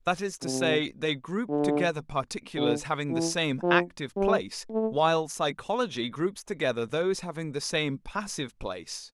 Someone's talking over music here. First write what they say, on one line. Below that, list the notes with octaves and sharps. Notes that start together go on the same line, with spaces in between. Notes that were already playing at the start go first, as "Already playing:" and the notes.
That is to say, they group together particulars having the same "active" place, while psychology groups together those having the same "passive" place.
C3
D3
D3
E3
F3
G3
A3